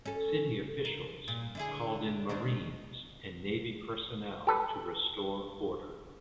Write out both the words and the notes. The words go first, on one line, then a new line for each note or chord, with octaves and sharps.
City officials called in Marines and Navy personnel to restore order.
C#4 A4
A#4
A#2
D3 E4 G#4
D#3 C4 D4
G4 A4 B4